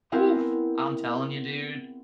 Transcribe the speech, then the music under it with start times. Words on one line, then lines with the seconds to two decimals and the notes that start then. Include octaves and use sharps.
Oof! I'm telling you, dude,
0.12 B3 C4 E4 G#4 A#4